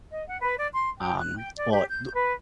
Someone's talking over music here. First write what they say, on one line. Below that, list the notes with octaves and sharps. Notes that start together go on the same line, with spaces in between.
Um, well, D
D#5
F#5
B4
D5
C6
G5
F#6
G5
D5
G4
G6
B4